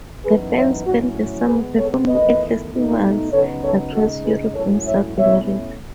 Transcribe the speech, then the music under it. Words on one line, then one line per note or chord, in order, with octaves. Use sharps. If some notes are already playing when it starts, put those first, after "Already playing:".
The band spent the summer performing at festivals across Europe and South America.
F#2 E3 B3 D#4 G#4 B4
C#5 E5
A2 F#3 C#4 E4 F#4
B2 G#3 B3 G#4 B4
A4 C#5
E2 D#3 A3 E4 B4 D#5
B2 A3 D#4
C#3 F#3 B3 D#4 A4 C#5
A4 C#5
C#3 G#3 D#4 F#4 A4
G#4 B4
G#2 F#3 A3 C#4 E4 A4 C#5
C#5 E5
B2 A3 C#4 E4 C#5 E5